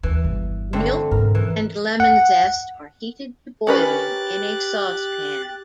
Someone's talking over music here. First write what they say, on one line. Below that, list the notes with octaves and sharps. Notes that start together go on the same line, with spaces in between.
Milk and lemon zest are heated to boiling in a saucepan.
D#2 E3
G1
D3 A3 C4
G#2 B2 A#4
E3
F#5
C#4 G4 A#4 B4 F#6 A6